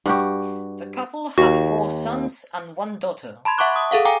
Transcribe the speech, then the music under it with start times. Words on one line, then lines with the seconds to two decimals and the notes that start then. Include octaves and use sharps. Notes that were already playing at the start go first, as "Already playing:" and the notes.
The couple had four sons and one daughter.
0.06 G2 F#4 G4
1.38 D#2 F#4
3.45 A5 B5 C6 G#6
3.58 E5 F#5 A5 C#6 D6 F#6
3.76 D#6
3.91 G#4 A4 F5 F#5
4.05 F5 G5 G#5 A#5 D6